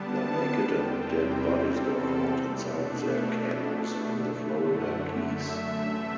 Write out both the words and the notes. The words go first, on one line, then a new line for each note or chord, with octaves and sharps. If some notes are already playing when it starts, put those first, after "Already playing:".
Their naked and dead bodies were found inside their canoes in the Florida Keys.
Already playing: D3 G3 B3 D4 A5
E2 C3 G3 C4 G5
G5
A4
B2 A3 D4
F#2 D3 A3
F#5
E5
C3 E3 A3 D4